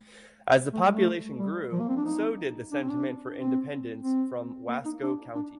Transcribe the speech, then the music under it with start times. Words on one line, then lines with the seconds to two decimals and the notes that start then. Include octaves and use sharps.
As the population grew, so did the sentiment for independence from Wasco County.
0.73 A3
0.83 G3
0.94 A3
1.39 G3
1.72 F3
1.80 A#3
1.89 C4
1.96 D4
2.05 D#4
2.71 D4
2.81 C4
2.90 D4
3.37 C4
4.03 C4
4.68 A#3
4.85 D#4
5.02 D4
5.35 D4